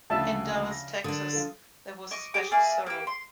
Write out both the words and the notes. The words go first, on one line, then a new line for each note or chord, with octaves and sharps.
In Dallas, Texas, there was a special sorrow.
D2 C#3 F3 D4 E5 A5
A#6
D3 D4 A#4 D#6
F3 F4 A4
D#5 C#6 D6
G4 G#4 D6
A#3 G#4 D5 E5
A#3 G4
C6